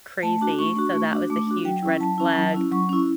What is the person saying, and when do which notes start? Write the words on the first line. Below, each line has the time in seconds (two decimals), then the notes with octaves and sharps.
crazy, so that was a huge red flag.
0.23 A3 A5
0.41 D4 F#4
0.59 A3 C#6
0.76 D4 F#4
0.94 A3
1.12 D4 F#4
1.30 A3 D6
1.47 D4 F#4
1.65 F#3 G5
1.83 C#4 E4
2.00 F#3 A5
2.18 C#4 E4
2.36 F#3
2.54 C#4 E4
2.72 F#3 C#6
2.89 C#4 E4